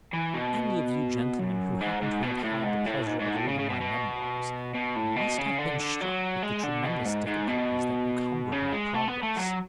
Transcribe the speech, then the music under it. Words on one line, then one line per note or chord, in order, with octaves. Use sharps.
Any of you gentlemen who happen to have had the pleasure of reading my memoirs must have been struck with the tremendous difficulties that encumbered my progress.
E3
B2
F#2
G#2
G#2
B2
A2
G#2
A2
G#2
G#2
A2
C#3
C#3
B2
B2
B2
A2
B2
C#3
D3
D3
F#3
G#3
D3
B2
G#2
G#2
B2
C#3
G#3
A3
B3
A3
F#3